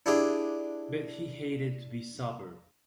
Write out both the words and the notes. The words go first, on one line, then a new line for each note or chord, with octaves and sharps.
But he hated to be sober.
D4 E4 G4 G#4 G5